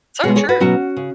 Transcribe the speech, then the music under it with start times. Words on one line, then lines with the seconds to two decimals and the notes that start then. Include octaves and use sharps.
So true.
0.23 B2 G#3 G#4 C#5
0.36 G#4 C#5
0.49 F#4 B4
0.60 B2 F#3 C#4 F#4
0.97 C#3